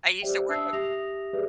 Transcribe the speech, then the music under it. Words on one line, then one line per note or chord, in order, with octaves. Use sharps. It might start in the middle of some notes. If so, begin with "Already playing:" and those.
I used to work at
G4 C5 D5 E5 G5
D4 E5 A5 D#6 E6 C7
G4 E5 D#6 A#6 F7
G4 G#4 B4 D5 E5